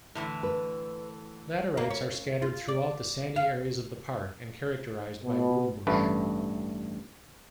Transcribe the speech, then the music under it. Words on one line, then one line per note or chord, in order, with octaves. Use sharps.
Laterites are scattered throughout the sandy areas of the park and characterised by broombush.
A2 D3 E3
B4
A#3
C#4
F4
D5
F5
B2
A1 G2 A3 B4